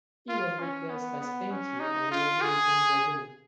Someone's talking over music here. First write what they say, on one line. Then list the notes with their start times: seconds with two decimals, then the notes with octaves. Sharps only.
He was replaced by Spanky and The American Dragon.
0.29 F4
0.59 C#4
0.90 B3
1.20 B3
1.51 C#4
1.80 D#4
2.11 F4
2.42 G#4